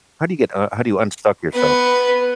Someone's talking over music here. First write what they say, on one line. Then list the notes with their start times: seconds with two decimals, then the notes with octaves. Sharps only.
How do you get uh, how do you unstuck yourself?
1.53 B3 B4